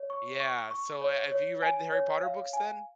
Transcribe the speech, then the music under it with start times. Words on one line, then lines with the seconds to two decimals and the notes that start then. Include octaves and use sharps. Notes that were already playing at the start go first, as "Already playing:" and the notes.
Yeah. So, ha have you read the Harry Potter books then?
Already playing: C#5
0.10 C#6
0.40 C#6
0.71 C#6
1.01 C#5
1.32 C#5
1.62 G#5
1.92 C#5
2.23 F5
2.53 G#5